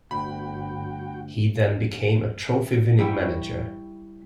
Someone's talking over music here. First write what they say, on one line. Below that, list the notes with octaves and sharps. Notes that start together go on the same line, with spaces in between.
He then became a trophy-winning manager.
G1 D2 F#4 G5 B5
G3 E4 G5 C#6